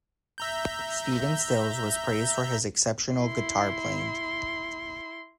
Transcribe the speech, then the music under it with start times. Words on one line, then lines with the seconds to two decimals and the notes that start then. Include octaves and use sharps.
Stephen Stills was praised for his exceptional guitar playing.
0.38 E5 A#5 G6
3.14 E4 C6